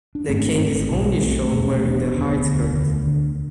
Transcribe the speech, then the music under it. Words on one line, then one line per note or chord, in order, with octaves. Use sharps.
The king is only shown wearing the hide skirt.
D4
G#1 G#2 A3 C4
G#1 G#2
B1 B2
B1 B2 A3 C4
A3 C4
E1 E2 B2 G#3 B3
A3 C4
E1 E2 B2 B3 D4
E1 D2 D3 B3 D4
E1 D2 D3
D2 D3
D2 D3